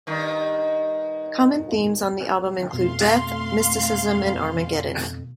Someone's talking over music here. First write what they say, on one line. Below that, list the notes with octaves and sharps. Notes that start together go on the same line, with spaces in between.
Common themes on the album include death, mysticism, and armageddon.
G2 D#3
F2 B2 A3 F5 C6